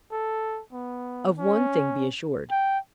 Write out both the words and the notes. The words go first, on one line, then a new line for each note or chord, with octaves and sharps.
Of one thing be assured.
A4
B3
C#4
G5